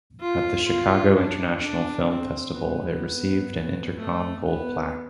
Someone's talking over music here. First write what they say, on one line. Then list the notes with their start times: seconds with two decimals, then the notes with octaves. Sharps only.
At the Chicago International Film Festival it received an Intercom Gold Plaque.
0.20 F4
0.68 F4
1.14 D4
1.61 D4
2.09 C4
2.56 B3
3.97 A3
4.44 B3